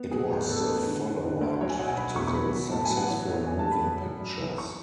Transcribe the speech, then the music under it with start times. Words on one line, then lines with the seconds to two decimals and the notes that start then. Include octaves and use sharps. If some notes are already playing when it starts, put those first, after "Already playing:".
It was the follow-up to the successful "Moving Pictures".
Already playing: B3
0.11 F#3 G#4
0.31 A1
0.48 B3 A4
0.67 B3 B4
0.86 D3
1.05 D3
1.23 D3
1.41 D2
1.61 F#3 C#5
1.69 G#5
1.79 B1 F#5
1.88 G#5
1.97 B1 B5
2.16 B2 C#6
2.28 C#6
2.34 F#3 B5
2.54 F#3
2.71 A2 A5
2.85 G#5
2.90 F#3
2.97 F#5
3.09 E3 C#5
3.21 B4
3.28 E2
3.34 C#5
3.46 E2 G#5
3.59 A5
3.64 E2
3.71 B5
3.84 F#2
4.02 F#2
4.21 F#2
4.39 E3
4.58 C#6